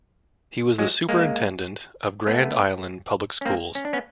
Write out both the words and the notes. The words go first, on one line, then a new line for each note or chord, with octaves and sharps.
He was the superintendent of Grand Island Public Schools.
F#3 G#3
G#3 A#3
A3 B3
C#4
A#3 C4
C#4
D4
B3 C#4